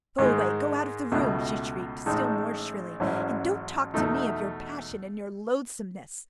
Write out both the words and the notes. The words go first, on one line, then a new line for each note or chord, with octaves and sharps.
"Go away, go out of the room!" she shrieked still more shrilly, "and don't talk to me of your passion and your loathsomeness."
G#2 D#3 G#3
C#2 B2 A3
A1 A2 G#3 D#4
A1 G#2 F#3 C#4 E4
E2 B2 A3 D#4